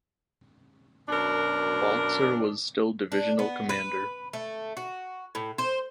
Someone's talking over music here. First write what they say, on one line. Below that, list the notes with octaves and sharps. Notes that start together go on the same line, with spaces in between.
Baltzer was still divisional commander.
F#2 B2 D4 A#4
D4
B3
B4
A3
F#4
A2
C5